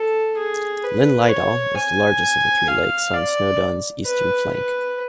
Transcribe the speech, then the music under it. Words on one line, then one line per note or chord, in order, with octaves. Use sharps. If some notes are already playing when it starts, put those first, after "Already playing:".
Llyn Llydaw is the largest of the three lakes on Snowdon's eastern flank.
Already playing: A4
G#4
B4
C#5
G#5
F5
D5
B4
B4